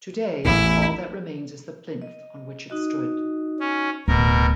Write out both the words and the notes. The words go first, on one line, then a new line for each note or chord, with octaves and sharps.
Today, all that remains is the plinth on which it stood.
A1 E2 A2 E4
D#5
D#4 F#4 D#5
C#4
D1 B2 A#4